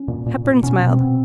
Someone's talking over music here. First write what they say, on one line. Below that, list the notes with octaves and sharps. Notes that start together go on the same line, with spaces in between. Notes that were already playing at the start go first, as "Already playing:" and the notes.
Hepburn smiled.
Already playing: C#4
A#2
A#2
A#2
B2 C#4
B2
C4
B2